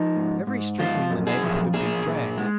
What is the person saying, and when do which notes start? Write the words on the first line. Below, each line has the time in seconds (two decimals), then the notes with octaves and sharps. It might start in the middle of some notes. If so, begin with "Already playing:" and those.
Every stream in the neighbourhood had been dragged.
Already playing: F3 D#4
0.16 G#2
0.47 G#2
0.79 F3 F4
1.10 F#2
1.27 G#4
1.43 F3
1.74 A#2 G#4
2.06 A#2
2.37 G#3